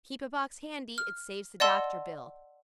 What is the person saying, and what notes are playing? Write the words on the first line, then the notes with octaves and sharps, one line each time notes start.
Keep a box handy, it saves the doctor bill.
F6
D5 D#5 F#5 A5 C6 E6